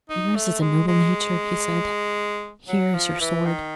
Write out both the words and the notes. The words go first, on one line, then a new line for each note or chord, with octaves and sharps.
"Yours is a noble nature." he said; "here is your sword."
D#4
A3
G#3
G#3
F#3
F3
E3
D#3